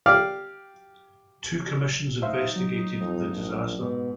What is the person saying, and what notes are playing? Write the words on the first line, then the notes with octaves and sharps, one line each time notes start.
Two commissions investigated the disaster.
G4 D5 F5 F6
D#4 C5 E5 F5
F#3
F2
A#1
G#2 B2